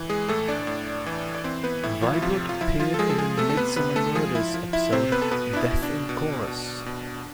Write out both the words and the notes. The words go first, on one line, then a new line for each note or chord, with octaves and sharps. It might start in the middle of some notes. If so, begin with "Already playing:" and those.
Vibert appeared in the "Midsomer Murders" episode "Death in Chorus".
Already playing: E3
G#3 G#4
A2 A3 A4
D4 D5
A2
E3
D5
E3 C4 C5
B3 B4
A2 E4
F3 F4
E4
C3 F3 F4
F4
F3 E4
F3 F4
A4
F3 G#3 G#4
A4
G#3 G#4
C3 A3 A4
A4
B3 B4
C3 B3 B4
A3 A4
F3 G#3 G#4
E4
F3
E4 E5
C3 C4 C5
B3 B4
A4
B2 B3 B4
D4
E4
B2
D4
B2
B2
B2